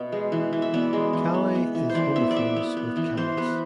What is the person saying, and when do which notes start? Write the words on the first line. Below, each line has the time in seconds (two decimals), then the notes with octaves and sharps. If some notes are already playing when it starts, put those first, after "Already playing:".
Calais is homophonous with "callous".
Already playing: B2 B3 E5
0.12 G#3
0.32 E3
0.53 E3
0.62 E5
0.74 B3 D5
0.93 G#3
1.13 E3
1.34 B3
1.55 B3
1.75 E3
1.89 C5
1.95 E3 D5
2.16 B3 E5
2.31 D5
2.36 B3 E5
2.56 B3
2.77 B3
2.96 E3
3.17 E3 C5
3.37 B3 B4